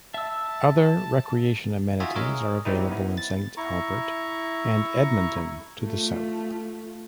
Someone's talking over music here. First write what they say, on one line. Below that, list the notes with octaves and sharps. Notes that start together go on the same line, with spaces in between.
Other recreation amenities are available in Saint Albert and Edmonton to the south.
E5 A5 E6
D#4 F4 F#4 D#5 E5 G#5
G#4 A#4 C#5 D#5
F#3 G3 C4 D#4 E4
B3 E4
A6
E4 A#5 C#6
A3 F4